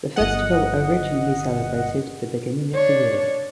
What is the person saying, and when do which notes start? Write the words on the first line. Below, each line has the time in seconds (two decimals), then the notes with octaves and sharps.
The festival originally celebrated the beginning of the year.
0.16 G1 D#5 F#5
2.73 D4 C#5